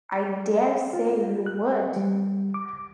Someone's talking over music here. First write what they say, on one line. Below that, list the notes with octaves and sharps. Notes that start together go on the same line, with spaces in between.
I dare say you would!
F4
F#6
G3
D6
C#2